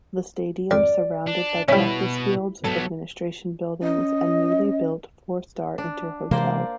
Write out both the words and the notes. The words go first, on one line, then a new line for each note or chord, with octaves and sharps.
The stadium surrounded by practice fields, administration buildings and newly built four-star Inter Hotel.
F2 D5
D4
B2 G3 B3 C#4 E4
F#3 B3 A4
C#4 D#5
D4
C3 E3 G#3 A#3 C5 D5